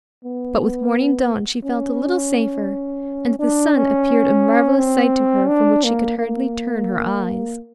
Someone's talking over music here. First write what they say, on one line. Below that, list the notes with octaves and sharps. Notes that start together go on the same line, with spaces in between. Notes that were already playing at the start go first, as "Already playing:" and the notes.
But with morning dawn she felt a little safer, and the sun appeared a marvellous sight to her from which she could hardly turn her eyes.
B3
C#4
D4
C#4
C4
D4
A#3
A#3